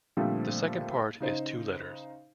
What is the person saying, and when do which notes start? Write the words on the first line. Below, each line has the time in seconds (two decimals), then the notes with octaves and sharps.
The second part is two letters.
0.17 A#2 D3 F3 G3 A3 C4
1.20 C#3 D#4 C5